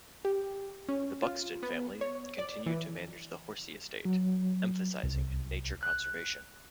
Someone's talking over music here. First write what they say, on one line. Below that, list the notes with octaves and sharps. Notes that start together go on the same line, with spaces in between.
The Buxton family continue to manage the Horsey estate, emphasising nature conservation.
G4
C#4
F4
B3
C#5
D5
E3
F#3
C2
F#6